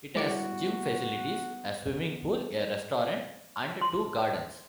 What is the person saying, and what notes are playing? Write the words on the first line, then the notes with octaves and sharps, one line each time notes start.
It has gym facilities, a swimming pool, a restaurant and two gardens.
G3 G#3 B3 E4 F#4 C#5 D6 C#7
C6